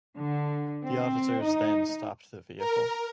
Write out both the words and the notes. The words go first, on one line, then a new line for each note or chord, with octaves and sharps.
The officers then stopped the vehicle.
D3
C4
D#4
A#4